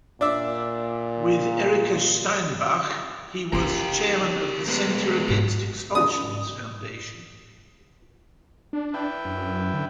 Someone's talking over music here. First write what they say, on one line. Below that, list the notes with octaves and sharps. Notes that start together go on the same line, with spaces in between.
With Erika Steinbach, he was chairman of the "Centre Against Expulsions" foundation.
A#2 D4 D5 E5
C#3 C#4 G4 A#4
G#3 B3
G#2
D#6
D4
E4 B4 G5
F#2
D3